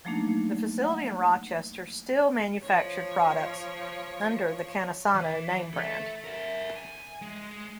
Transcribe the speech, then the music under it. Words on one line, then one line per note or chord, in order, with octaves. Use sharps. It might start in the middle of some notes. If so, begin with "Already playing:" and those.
The facility in Rochester still manufactured products under the Cantisano name brand.
F3 F#3 A3 A#3 D4 D#4
F#5
F3 C#5
E3
A4 E5
A#4 E5
G#5
G#3